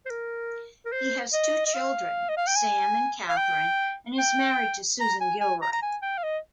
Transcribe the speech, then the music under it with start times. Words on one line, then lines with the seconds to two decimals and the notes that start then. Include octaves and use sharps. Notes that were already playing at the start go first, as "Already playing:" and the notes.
He has two children, Sam and Kathryn, and is married to Susan Gilroy.
0.06 C5
0.10 A#4
0.85 A#4
0.92 C5
1.33 D#5
1.66 D#5
1.74 F5
2.29 D#5
2.37 F5
2.47 G5
2.56 G#5
3.30 F5
3.37 G5
4.19 G5
5.01 A#5
5.21 G#5
5.41 G#5
5.62 A#5
5.73 A#5
5.82 G#5
6.02 G5
6.18 F5
6.23 D#5